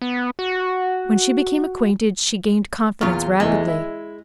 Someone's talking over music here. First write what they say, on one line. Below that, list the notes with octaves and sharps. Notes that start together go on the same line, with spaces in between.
When she became acquainted she gained confidence rapidly.
B3
F#4
E2 A#2 F4 C#6 F6
E2 E3 G#3 A3
E4